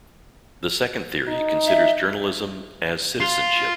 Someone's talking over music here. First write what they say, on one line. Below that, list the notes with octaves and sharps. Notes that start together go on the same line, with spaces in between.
The second theory considers journalism "as" citizenship.
D#4
E5
F4